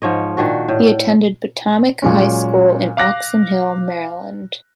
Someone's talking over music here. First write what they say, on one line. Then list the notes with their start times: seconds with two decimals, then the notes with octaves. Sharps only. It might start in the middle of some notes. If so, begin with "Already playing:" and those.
He attended Potomac High School in Oxon Hill, Maryland.
0.02 G#2 F3 C#5 D#5
0.37 A#2 D#3 D4 F#4
0.68 A2
2.02 A#2 F#3 G#3 C#4
2.97 F5 D6 F#6 A#6